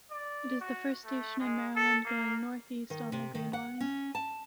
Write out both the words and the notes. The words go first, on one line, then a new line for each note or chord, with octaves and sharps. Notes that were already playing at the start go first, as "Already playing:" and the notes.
It is the first station in Maryland going northeast on the Green Line.
D5
F#4
A3
G#3
A4
A#3
D#3
C3
D#3
F#5
C#4
A5